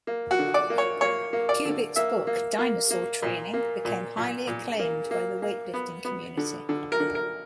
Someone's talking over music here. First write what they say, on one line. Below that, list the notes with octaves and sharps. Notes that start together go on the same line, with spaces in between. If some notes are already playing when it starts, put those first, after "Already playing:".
Kubik's book "Dinosaur Training" became highly acclaimed by the weight-lifting community.
A#3
F#4
D3
D5
A#3
C#5
A#3 C#5
A#3
D5
D3
A#3 E5
A#3
A#3
A#3
A#2
A#3
A#2
A#2
A#2
A#3
A#3
A#3
B3
B3
D3
D3
A#4
D3
A#4